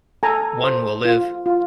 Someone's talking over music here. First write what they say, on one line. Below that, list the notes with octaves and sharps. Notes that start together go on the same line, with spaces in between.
One will live.
A4 G#5 A#5
C5
F4
F4